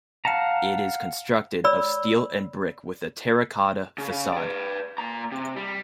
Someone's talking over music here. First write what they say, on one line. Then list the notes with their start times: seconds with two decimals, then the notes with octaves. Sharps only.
It is constructed of steel and brick with a terra-cotta facade.
0.25 F5 F#5 A5 A#5
1.64 C#5 D5 B5 E6
3.98 C#3
4.33 B4 D5
4.98 A#2 A#5
5.32 C3
5.56 G3